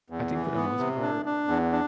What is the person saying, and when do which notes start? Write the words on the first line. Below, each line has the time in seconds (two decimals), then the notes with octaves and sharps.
I think for the most part
0.10 E2
0.33 E3
0.56 B3
0.79 C3
1.02 D4
1.26 D4
1.48 E2
1.72 D4